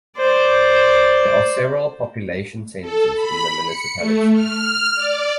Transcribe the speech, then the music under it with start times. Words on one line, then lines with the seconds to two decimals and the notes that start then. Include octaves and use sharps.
There are several population centers in the municipality.
0.17 C5 D5
2.81 A4
3.14 B5
3.64 C#7
3.96 A3
4.33 F6
4.95 D5